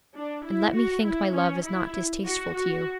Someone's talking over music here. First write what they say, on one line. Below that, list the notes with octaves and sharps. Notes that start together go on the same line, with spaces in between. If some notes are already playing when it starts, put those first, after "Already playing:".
And let me think my love is not distasteful to you.
D4
E4
F#4
E4
C#4
E4
F#4
F#4